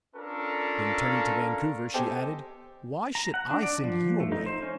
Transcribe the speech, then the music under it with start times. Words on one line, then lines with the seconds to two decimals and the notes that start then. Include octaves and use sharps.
Then turning to Vancouver, she added, "Why should I send you away?"
0.16 C#4 D4 F4 A4 A#4
1.94 G4 A4 C5 D#5 G5 G#5
3.15 A#5
3.34 F#5
3.51 D4
3.63 D5
3.84 F3
4.20 A3
4.32 D#4
4.46 C5
4.62 C#4